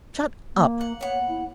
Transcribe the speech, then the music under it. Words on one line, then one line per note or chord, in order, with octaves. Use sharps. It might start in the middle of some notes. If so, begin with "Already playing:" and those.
"Shut up!"
A#3
F#5
B3 C#5 F#5
E4